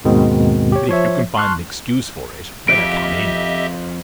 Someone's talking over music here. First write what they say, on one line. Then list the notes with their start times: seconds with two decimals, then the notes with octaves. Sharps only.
But if you can find an excuse for it, let her come in.
0.04 D#2 G#2 B2 D#3 G#3 C4
0.72 G4 C#5
0.89 F3 C#5 E5
1.37 A5 C6 C#6 F6 F#6
2.68 F2 G4 D#5 E5 D7